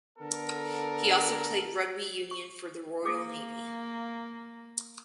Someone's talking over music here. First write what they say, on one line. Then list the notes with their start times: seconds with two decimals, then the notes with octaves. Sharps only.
He also played rugby union for the Royal Navy.
0.18 D3 B3 A4 A#4
2.31 C#6
3.05 A#3 G#4 D6 D#6